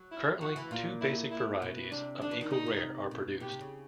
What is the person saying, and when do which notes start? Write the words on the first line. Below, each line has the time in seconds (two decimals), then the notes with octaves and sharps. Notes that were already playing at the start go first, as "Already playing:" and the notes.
Currently, two basic varieties of Eagle Rare are produced.
Already playing: F#3
0.11 E4
0.41 F3 F#4
0.56 E3
0.71 A#2 F4
1.01 E4
1.31 E4
1.62 B2
1.91 C3 D4
2.21 D3 D4
2.31 E3
2.41 D#3
2.51 C#3 D#4
2.66 C3
3.11 B2
3.40 B2 G4
3.52 C3
3.61 C#3